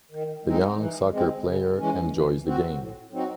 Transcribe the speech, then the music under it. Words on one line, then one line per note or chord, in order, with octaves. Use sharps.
The young soccer player enjoys the game.
D#3
G#3 C4 D#4
E3
G#3 C4
C#3
E3 G#3 C#4
E3
C4 F#4
A2
F#3 C4 D#4 F#4